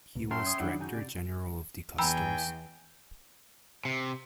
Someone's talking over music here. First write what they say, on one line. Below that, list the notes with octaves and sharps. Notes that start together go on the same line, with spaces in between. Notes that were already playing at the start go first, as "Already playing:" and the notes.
He was Director general of the customs.
C#2 B2 A#3
F#2 C#4 F#4 A4 A#4 E5 G5 C6
C#5 D#6
F#2 D#3 F#3 D4 E4 F#5
C#3 D#4 F#4 G#5 G6
C3 D5
E2 G5 G#5 A#5 B5 E6
C3